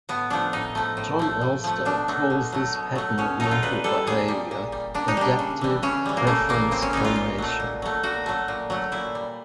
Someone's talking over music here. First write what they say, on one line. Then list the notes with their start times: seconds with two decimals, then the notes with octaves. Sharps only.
Jon Elster calls this pattern of mental behaviour "adaptive preference formation".
0.09 A2 B3
0.30 F3 A3 D4
0.53 A2 D#4
0.75 F3 A3
0.97 A2
1.19 F3 A3
1.41 A2
1.64 F3 A3
1.85 B2 D4
2.08 F#3 A3
2.30 B2
2.52 F#3 A3
2.74 B2
2.95 F#3 A3
3.18 B2 C#4
3.40 F#3 A3 D#4
3.51 F4
3.62 A#2 B4
3.84 G3 A4
4.07 A#2 G#4
4.28 G3
4.51 A#2
4.72 G3
4.94 A#2 D4
5.08 D#4
5.17 G3 D4
5.39 C#3
5.61 E3 G3
5.83 C#3 C#4
6.06 E3 G3
6.17 A#3
6.27 C#3 A3
6.49 E3 G3 A#3
6.71 C#3 C4
6.82 C#4
6.93 E3 G3 D#4
7.05 F4
7.16 A#2
7.38 F#3 A3
7.60 A#2
7.82 F#3 A3
8.03 A#2 F#4
8.26 F#3 A3
8.48 A#2
8.70 F#3 A3
8.92 A#2 E4
9.15 G3